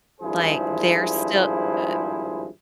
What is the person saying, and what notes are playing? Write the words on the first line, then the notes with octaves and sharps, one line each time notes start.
Like, they're still, uh
G#1 G2 F3 E4 G#4 C5